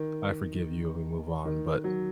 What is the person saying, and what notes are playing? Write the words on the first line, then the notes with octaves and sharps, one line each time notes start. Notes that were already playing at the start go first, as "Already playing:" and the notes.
"I forgive you," we move on, but
Already playing: D#3
D#3
F#3